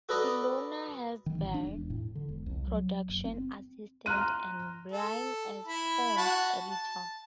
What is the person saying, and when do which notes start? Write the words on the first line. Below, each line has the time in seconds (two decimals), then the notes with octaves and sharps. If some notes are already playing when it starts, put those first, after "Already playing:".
Ilona Herzberg, Production Assistant and Brian Elston, Editor.
0.09 F#4 A4 B4 D5 D#5 A#5
1.26 D#3
1.39 A1
1.54 D4
1.67 E1
1.90 A2
2.15 D3
2.29 E1
2.46 C2
2.68 F#3
3.09 F#1
3.25 C4
4.06 A#5 C6 F6 F#6 D#7
4.92 A4
5.67 E4 B5
6.17 F#4 A5
6.71 A5